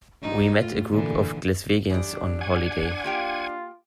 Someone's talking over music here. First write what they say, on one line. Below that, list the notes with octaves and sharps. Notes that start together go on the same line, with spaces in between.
We met a group of Glaswegians on holiday.
G2 D#4
A2 F4
A#2 D3 E3
E2 G3 D4
F#5 G#5 G#6
A#3 F4 G4 G5